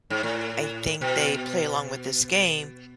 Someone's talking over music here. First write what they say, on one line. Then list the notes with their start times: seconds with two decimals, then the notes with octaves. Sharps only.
I think they play along with this game
0.10 G#2
0.23 A2
1.01 B2